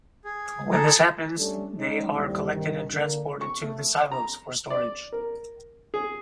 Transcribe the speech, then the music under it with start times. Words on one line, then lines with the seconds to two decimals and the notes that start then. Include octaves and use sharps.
When this happens, they are collected and transported to the silos for storage.
0.25 G#4
0.72 G#4 A4 A#5
1.37 G3 A3 C#4 D4 A4
1.77 G#3 C#4 D#4
2.14 D#2 A2 C3 G3
2.52 G2 C3 D#3
2.92 D3 A#3
3.41 C#6
3.62 A3
4.12 A#5
4.70 D5
5.13 A#4
5.94 G#4